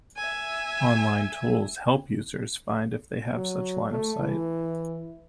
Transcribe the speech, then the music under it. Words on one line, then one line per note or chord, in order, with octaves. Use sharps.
Online tools help users find if they have such line of sight.
E5 G#5
F#3
A3
E3